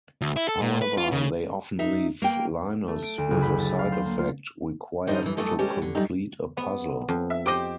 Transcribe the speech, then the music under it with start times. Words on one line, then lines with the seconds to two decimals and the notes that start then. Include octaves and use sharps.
However, they often leave Linus with a side-effect, required to complete a puzzle.
0.22 D2
0.36 E4
0.48 A4
0.62 A#2
0.82 B4
0.98 F4
1.12 C#3
1.79 D#4 E5
2.22 A#3 G5
2.88 A3
3.03 D7
3.18 D2
3.31 F#1
3.42 B5
3.60 A6
3.79 F5
3.92 C5
4.06 A#3
4.19 F4
5.07 F2 D3 G3 D#4 C5 D#5
5.23 F#2 E3
5.37 F#2 D#3 E3 A3 A4 D#5
5.59 G3 G#3 C#4 G4
5.82 D3
5.95 F#2 G3 D#4
6.57 B3
7.09 F2
7.30 E5
7.46 G4 C5 D#5 G5 D6